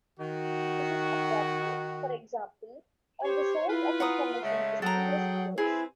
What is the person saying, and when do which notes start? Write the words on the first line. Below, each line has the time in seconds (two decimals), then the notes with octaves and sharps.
This is appropriate, for example, when the source of information is English prose.
0.20 D#3 F#4
3.23 G4 C5 C#5
3.68 E4 F4 B4
4.00 F#5 A#5 D#6
4.42 C#3 G#3 A3 E5
4.82 F#3 G#4 A4 F#5 G5 A#5
5.58 C4 E4 G#4 B4 E5